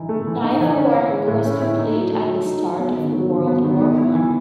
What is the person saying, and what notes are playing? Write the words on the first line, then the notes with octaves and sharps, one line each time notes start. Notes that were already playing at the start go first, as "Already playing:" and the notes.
Neither work was complete at the start of World War One.
Already playing: E3 D#4
A3
E3
D#4
E3
C#4
E4
G#3
A2
C#4
E4
D#4
F#3
A3
F#3
D#4
F#3
B3
D#3
F#3
D#3
B3
D#3
B3
E4
E3